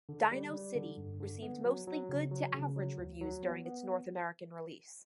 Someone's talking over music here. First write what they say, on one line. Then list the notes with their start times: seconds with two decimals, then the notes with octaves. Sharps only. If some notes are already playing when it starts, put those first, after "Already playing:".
"DinoCity" received mostly good to average reviews during its North American release.
0.09 D3
0.31 G3
0.53 G3
0.76 D3
0.97 G2
1.20 D3
1.42 B3
1.65 F#3
1.87 F#3
2.09 C#3
2.31 F#3
2.54 C#3
2.76 F#3
2.98 D2
3.21 F#3
3.43 B3
3.66 B3